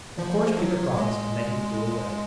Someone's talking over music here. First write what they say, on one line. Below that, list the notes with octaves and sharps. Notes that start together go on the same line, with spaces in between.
Of course Peter promised; and then he flew away.
F3
F#3
G#3